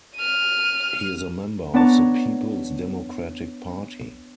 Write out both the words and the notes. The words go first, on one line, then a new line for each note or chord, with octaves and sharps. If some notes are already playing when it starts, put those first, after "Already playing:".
He is a member of the People's Democratic Party.
F6 D#7
B3 D4 C#5 A5 A#5